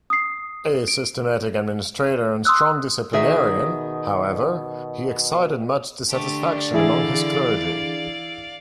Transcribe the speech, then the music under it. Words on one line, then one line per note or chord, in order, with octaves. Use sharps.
A systematic administrator and strong disciplinarian, however, he excited much dissatisfaction among his clergy.
D#6 C7
D7
C6 D#6 E6 F#6
B2 D#3 G#4 E5
D3 A3 D4 G4
E3 E4 G#4 D5 F5